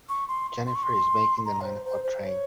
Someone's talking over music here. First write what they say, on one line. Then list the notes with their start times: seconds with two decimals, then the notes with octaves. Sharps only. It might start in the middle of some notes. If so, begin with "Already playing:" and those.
Jennifer is making the nine o'clock train.
0.09 C#6
0.28 C6
0.67 C6
0.75 C#6
0.83 C6
1.45 A#5
1.61 C#5
1.66 C5
1.85 C5
2.04 C5
2.24 C#5